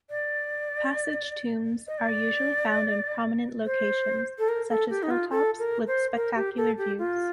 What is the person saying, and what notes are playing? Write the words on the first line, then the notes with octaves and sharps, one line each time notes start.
Passage tombs are usually found in prominent locations, such as hill-tops, with spectacular views.
D5
D#5
D5
C5
A4
A#4
A4
G4
D#4
F4
A4
A#4
C5
A#4
G4
A4
G4
F4